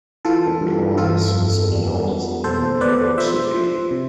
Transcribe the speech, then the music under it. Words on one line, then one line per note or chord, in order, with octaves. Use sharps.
The prize is announced in New York City.
E3 F4 A4
G2
E3 F4 A4
F2
G3
B3
B2 A4 C5
B3 B4 D5
F3 C5 E5
F3
C3